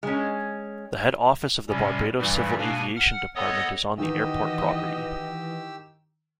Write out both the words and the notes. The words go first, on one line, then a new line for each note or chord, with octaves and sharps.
The head office of the Barbados Civil Aviation Department is on the airport property.
G#3 C#4
A2 C3 G3 C#4
G2 A#2 E3 G3
B2 A#3 D4 G#5
F#5 F6
B3 A4 C#5 D#5 D#6
D#3 E3 F#4 G4 D#5 E6